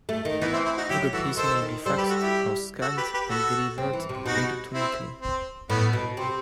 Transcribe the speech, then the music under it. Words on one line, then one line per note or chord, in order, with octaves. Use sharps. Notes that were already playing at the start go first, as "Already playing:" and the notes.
Photocopies may be faxed, or scanned and delivered electronically.
A3
D#3
E3 B3 D#4
C4 E4
C4 E4
D#4 F#4
F#3 E4 G4
E3 F#4 A4
D#3 A4 C5
D#3
G3 A4 C5
G4 B4
F#4 A4
E4 G4
F#4 A4
G4 B4
G4 B4
F#4 A4
C4
E3
C3
B2 D#4 F#4
C4 E4
C4
A2 B3
B2
C3 C4